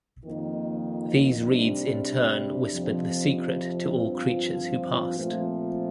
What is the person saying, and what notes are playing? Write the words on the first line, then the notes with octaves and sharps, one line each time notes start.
These reeds in turn whispered the secret to all creatures who passed.
F2 D#3 A#3 D#4
C3 G3 D4
F2 C3 F3 C4
G2 F3 C4 F4
A#2 F3 A3 C4